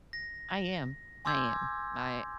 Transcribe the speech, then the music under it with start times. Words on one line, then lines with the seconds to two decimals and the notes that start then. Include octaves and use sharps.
I am. I am. I uh,
0.13 A#6
1.25 G#5 C6 D6 E6 G6 G#6